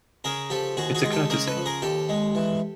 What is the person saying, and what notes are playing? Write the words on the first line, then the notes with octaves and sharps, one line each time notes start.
It's a courtesy.
C#3 G#4 A#4
F3 G4 A4
D#2 F#4 G#4
F#4 G#4
G#3
G4 A4
C#3 G#4 A#4
A4 B4
F3
G#4 A#4
D#2 G4 A4
G#3
E3